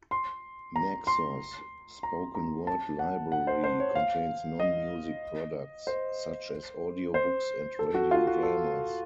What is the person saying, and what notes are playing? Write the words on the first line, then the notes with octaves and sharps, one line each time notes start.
Naxos Spoken Word Library contains non-music products, such as audiobooks and radio dramas.
C6
A#5
C6
A#5
A#5
A5
F#5
F#5
C5
C5
C#5
F5
D#5
C5
C5
A4
F#4
F4
F#4
A4